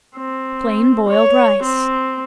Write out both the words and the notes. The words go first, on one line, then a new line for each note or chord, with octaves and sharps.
Plain Boiled Rice.
C4
C#5
C4